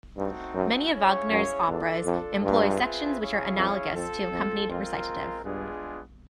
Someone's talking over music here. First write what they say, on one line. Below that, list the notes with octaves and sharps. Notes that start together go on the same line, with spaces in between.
Many of Wagner's operas employ sections which are analogous to accompanied recitative.
G2 A3 C4 D#4 F#4
F#2
C#4 E4 G#4 C#5 F5
F#2
E2 D4 F4 A4 D5
F2
G2 C4 F4 G#4 B4 E5
C#4 E4 G#4 C#5 F5
F2
F2 C4 F4 A4
F2
F2 G#3 C4 F4 A#4
G2 G#3 B3 D4 F4 G#4